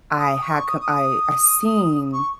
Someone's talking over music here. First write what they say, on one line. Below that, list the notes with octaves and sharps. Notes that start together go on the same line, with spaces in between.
I had co I I seen
D#6
C#6
D#6
D#6
C#6